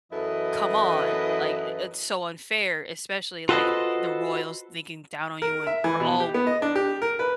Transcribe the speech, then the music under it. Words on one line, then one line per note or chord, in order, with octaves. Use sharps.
come on, like, i it's so unfair, especially, like, h the royals thinking down on you when we're all
F#2 E3 E4 A4 B4 D#5
F4 F#4 A4 B4 C5 D#5
A#4
E5
E3
B2
G4
B3
D#5
D4
G4
A#4
B4